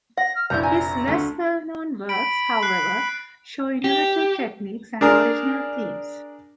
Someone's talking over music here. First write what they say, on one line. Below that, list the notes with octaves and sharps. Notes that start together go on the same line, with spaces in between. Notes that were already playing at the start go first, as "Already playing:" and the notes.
His less-well known works, however, show innovative techniques and original themes.
F#5 A#6
F6
F1 A#1 E4 A#5 G6
G#5 A#5
D2 D3 A3 A4
B5 D7
F#6 C7
G4
D4 G#4 A#4